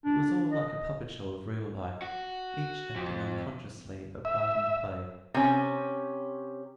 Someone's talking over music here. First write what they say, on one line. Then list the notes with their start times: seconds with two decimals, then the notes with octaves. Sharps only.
It was all like a puppetshow of real life, each acting unconsciously a part in the play.
0.05 D4
0.52 D#5
2.02 F#4
2.96 F2
4.25 E5
5.34 C3 C#4